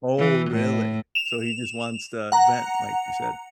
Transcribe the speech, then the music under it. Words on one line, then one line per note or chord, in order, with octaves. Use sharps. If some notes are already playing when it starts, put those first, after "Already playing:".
Oh, really? So he just wants to vent, like you said?
E3
A2
E7 F7
F#5 A#5